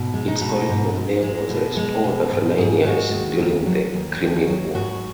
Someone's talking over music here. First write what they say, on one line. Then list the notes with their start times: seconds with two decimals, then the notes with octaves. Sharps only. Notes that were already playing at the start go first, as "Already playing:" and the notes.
Its original name was restored after nine years, during the Crimean War.
Already playing: G#2 B2
0.14 G#3
0.28 D#4
0.41 B2
0.69 G#2
0.96 G#2
1.23 G#3
1.49 B2
1.77 G#3
2.04 B2
2.31 G#2
2.58 G#2 G#4
2.85 G#3 F#4
3.12 D#2
3.39 D#2
3.66 F#3
3.94 D#2
4.20 D#2
4.47 F#3
4.75 G#2 F#4